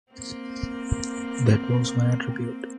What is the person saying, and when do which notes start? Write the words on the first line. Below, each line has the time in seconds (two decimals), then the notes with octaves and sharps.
That was my attitude.
0.12 A#3 C4